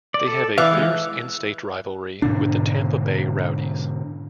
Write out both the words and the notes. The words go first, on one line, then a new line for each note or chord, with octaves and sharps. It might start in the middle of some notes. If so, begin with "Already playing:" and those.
They have a fierce in-state rivalry with the Tampa Bay Rowdies.
D5
A4
E3 E4 D5 F5
G#3
G#2 B2 D3 D4